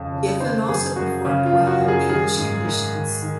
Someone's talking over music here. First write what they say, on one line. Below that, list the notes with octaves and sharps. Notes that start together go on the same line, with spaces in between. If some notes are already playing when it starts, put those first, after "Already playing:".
Giffen also performed well in English conditions.
Already playing: F2 C#3
C#3
D#3 C5
F#2 G#4
F#2 F#4
C#3 C#4
F4
F#2
F#4
F#2
G#4
D#3 G#4
G#2
G#2
D#3
D#3